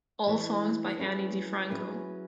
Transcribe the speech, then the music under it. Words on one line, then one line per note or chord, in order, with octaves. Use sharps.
All songs by Ani DiFranco.
E3 A3 E4 A4 C#5
F#3 C#4 E4 G#4 B4
F#3 C#4 E4 G#4 B4